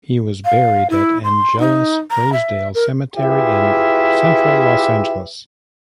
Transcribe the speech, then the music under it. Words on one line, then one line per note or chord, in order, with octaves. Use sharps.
He was buried at Angelus-Rosedale Cemetery in Central Los Angeles.
F5
E4
C6
D#4
A#5
E5
A#4
E4 F4 G4 G#4 B4 E5